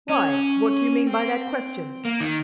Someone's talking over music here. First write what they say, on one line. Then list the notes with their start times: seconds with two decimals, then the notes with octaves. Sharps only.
"Why?--what do you mean by that question?"
0.09 C#4
1.07 C4
2.05 A#3
2.21 D#3